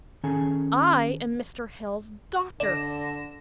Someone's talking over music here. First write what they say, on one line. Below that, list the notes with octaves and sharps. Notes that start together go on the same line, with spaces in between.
'I am Mr. Hale's daughter.
D#3 C#4 G#4 A4 G#5 A#5
D3 D5 A#6 E7